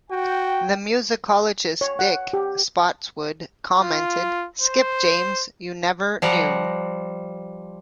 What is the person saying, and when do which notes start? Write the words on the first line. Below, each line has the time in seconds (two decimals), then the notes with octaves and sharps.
The musicologist Dick Spottswood commented, Skip James, you never knew.
0.11 F#4 G5
1.81 C#5
1.99 F#5
2.33 G4
3.81 F4
4.62 C5
6.22 F3 G3 F#5 A#5